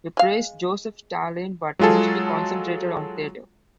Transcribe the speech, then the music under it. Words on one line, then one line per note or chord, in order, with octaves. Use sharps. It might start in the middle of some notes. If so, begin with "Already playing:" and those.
He praised Joseph Stalin, but mostly concentrated on theater.
G#3 F5
F#3 G#3 F4 G#4 A4